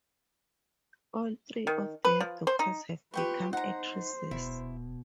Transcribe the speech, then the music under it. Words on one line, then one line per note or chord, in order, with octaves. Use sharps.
All three of their daughters have become actresses.
D#3
B4
F3
C5
D#4
F4 G4 B4 G5 C#6
D#4 C5 F#5 A#5
D#1 B2 E4